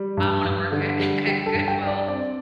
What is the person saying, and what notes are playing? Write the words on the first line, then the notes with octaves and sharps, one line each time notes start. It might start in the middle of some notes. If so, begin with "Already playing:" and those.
I wanna work at at Goodwill,
Already playing: G3
G2
G2
D3
G3
G3 G4
A4
G2
G5
D4
D5
C4 D5